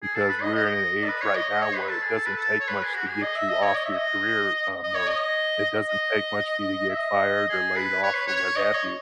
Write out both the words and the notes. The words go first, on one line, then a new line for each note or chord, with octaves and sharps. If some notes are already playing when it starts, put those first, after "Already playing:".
because we're in an age right now where it doesn't take much to get you off your career, uh, mode, it doesn't take much for you to get fired, or laid off, or what have you,
G#4
A4
B4
D#5
D#5
A4
B4
C#5
D#5
D#5
C#5
B4
A4
G#4
A4
B4
A4
C#5
B4
G#4
F#4
G#4
D#5
E5
D#5
C#5
D#5
E5
D#5
D#5
C#5
D#5
D#5
E5
D#5
G#4
B4
C#5
B4
C#5
D#5
C#5